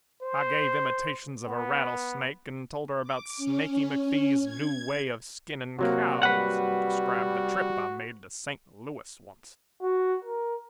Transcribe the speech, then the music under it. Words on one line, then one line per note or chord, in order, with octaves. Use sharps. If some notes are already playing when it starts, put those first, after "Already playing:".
I gave imitations of a rattlesnake, and told her about Snaky McFee's new way of skinning cows, and described the trip I made to Saint Louis once.
C5
B3
D6
C#4
G#6
C3 F#3 A#3 F#4
G3 B4 F#5
F#4
A#4